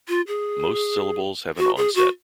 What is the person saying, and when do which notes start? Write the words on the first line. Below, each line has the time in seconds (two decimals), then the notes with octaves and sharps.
Most syllables have an onset.
0.08 F4
0.27 G#4
1.58 F#4
1.77 G#4
1.95 F#4